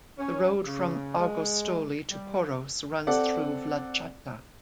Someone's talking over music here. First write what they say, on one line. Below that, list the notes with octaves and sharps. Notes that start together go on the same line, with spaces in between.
The road from Argostoli to Poros runs through Vlachata.
C#4
C#3
G#3
G3
C4 A4 D5 F#5